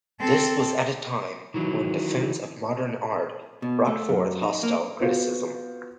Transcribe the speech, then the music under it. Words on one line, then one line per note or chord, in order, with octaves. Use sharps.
This was at a time when defense of modern art brought forth hostile criticism.
C4 A4
D#3 E3 F#3
B2
A3
F#2
D#4
A#3
B3 F4 F#4 C5